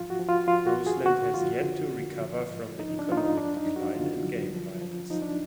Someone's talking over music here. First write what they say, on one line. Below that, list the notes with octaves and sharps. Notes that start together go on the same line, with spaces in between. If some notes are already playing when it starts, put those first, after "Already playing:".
Roseland has yet to recover from the economic decline and gang violence.
Already playing: G#2 F3 F4
F#4
F3
F4
F3 F4
F#4
F#2
G#4
D3 F#4
F3 F4
D3
D3
F3
G#2
F3 D#4
D4
F3 F4
D#4
F#2 D4
D#4
F#2
F#4
D3 F4
F#3
F3
F3
F3 D#4
D4